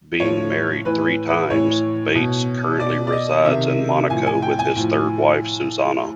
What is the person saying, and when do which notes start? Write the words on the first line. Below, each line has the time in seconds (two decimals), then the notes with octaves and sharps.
Being married three times, Bates currently resides in Monaco with his third wife, Suzannah.
0.20 A2 F3 C#5
0.85 A2 E3 B4
1.29 B4
1.50 A2 E3 C#5
2.15 B2
2.80 B2 D5
3.07 D5
3.12 D#5
3.45 C3 D#3 E5
4.10 A2 F3 G#5
4.27 G#5
4.42 G5
4.59 G#5
4.75 A2 F3